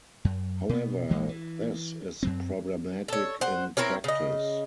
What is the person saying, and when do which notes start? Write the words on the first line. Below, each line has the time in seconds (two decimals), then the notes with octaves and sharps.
However this is problematic in practice.
0.25 F#2
0.69 B2 B3
1.10 A#1 E3 G#3 A#3
1.29 E3
2.23 F#2 F#3 C4
3.08 A4 C#5
3.41 C5 F#5
3.77 C4 E4 A#4 C#5
4.04 C#3 D#5